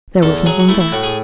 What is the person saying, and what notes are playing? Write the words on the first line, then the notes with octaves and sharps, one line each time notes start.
There was no one there.
E2 A4
F#3 G#4
F#4
A3 E4
E4
A2 F#4
G#4